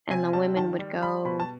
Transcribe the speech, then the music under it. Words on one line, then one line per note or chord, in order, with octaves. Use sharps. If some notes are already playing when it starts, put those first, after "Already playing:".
and the women would go,
C3 G#5
G3 A5
D#3 A5
G3
G3 B5
B2 B5
A5